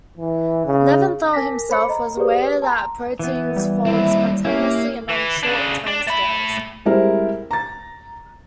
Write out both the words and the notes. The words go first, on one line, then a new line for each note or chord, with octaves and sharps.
Levinthal himself was aware that proteins fold spontaneously and on short timescales.
E3
C#3
A#4 G#5 A5 D6 A#6 B6
A4 C5 C#5 B5 D6 C#7
D#5 A#5
G4 G#4 B4 C5 D5 D#6
A5 A#5 C6
E3 B3
G3
D#2 C4 E4
A#3 C#4 E4 G4
E3
C#3 D4
D4
A3 B5
G3 G#3 C4 E4 A#4 C5
A#5 A6